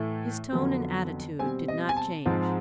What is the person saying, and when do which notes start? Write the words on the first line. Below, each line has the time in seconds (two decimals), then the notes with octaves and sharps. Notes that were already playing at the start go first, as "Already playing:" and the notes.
His tone and attitude did not change.
Already playing: A2 E3 A3
0.52 F2 D3 F#3 B3
1.39 B2 G3 C4 G#5
1.68 D#5
1.89 G#5
1.97 A5
2.26 G#2 F3 G#3 C4